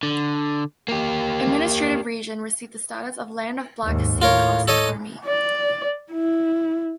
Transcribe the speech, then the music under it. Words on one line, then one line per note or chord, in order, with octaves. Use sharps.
Administrative region received the status of "Land of Black Sea Cossack Army".
D3
A#3 G4
D#2 G#2
A2 F4 A#4 C#5
A4 C#5 D#5
D5
E4